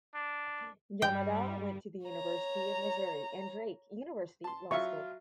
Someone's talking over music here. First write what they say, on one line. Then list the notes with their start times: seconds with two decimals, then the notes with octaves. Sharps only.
Yamada went to the University of Missouri and Drake University Law School.
0.15 D4
1.02 G2 G3 G5
2.06 C#5 A#5
4.44 A5 C6
4.71 F#3 F4 E5 C#6